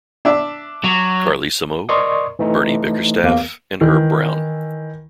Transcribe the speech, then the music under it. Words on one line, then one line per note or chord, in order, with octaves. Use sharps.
Carlesimo, Bernie Bickerstaff and Herb Brown.
D4 E5
F#3
A#4 D5 D#5 C6 C#6 D#6
E3 A3 D#4
E2 A#3
D#3 E3